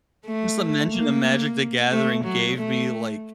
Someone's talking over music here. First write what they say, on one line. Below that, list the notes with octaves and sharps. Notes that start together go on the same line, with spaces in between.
just the mention of Magic: The Gathering gave me, like,
A3
A#3
A3
F#3
A3